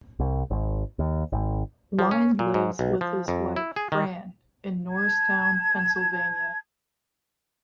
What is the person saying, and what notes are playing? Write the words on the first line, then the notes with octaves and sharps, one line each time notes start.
Wine lives with his wife, Fran, in Norristown, Pennsylvania.
C2
G#1
D#2
G#1
F3
C#4
A#2
G#2
B1
F3
F2
E4
G#4
D#3
A5 G#6